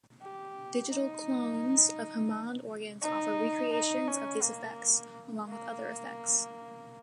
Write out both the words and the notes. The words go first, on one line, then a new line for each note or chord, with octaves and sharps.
Digital "clones" of Hammond organs offer recreations of these effects, along with other effects.
G4
D#4
D#4
D#4
C#4
A#3
A#3